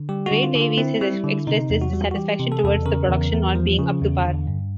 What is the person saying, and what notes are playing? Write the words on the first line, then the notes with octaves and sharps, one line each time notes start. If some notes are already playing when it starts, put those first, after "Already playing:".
Ray Davies has expressed his dissatisfaction towards the production not being up to par.
Already playing: D3
G3 G4
D3 F#4
F4
D3
F4
C4 E4
G3
D3
C3 D#4
E2
F#4
G3
F#4
E3 G4
C3
A4
G#4
E2 A4
C#3 A#4
E2
E2
F3
C#3
E2
D3
G2